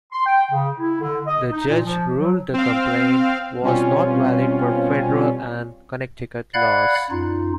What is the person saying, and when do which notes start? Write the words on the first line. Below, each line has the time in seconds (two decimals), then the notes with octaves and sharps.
The judge ruled the complaint was not valid per Federal and Connecticut laws.
0.12 C6
0.26 G5
0.52 C#3
0.79 E4
1.01 D3
1.27 D#5
1.52 D#4
1.69 A#2
1.84 F3
2.19 F#3
2.54 C4 F5
3.61 B2 G3 C4 C#4 F4
6.54 D5 F5 F#5 B5 F#6 G#6
7.11 F#2 D#4 F4